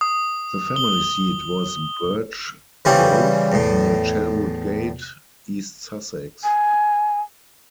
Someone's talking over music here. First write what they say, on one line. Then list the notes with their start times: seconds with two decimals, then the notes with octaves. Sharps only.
The family seat was Birch Grove, near Chelwood Gate, East Sussex.
0.01 D#6
0.76 G7
2.85 C#3 E3 G3 C#4 C5
3.52 E2 A2
6.44 G#5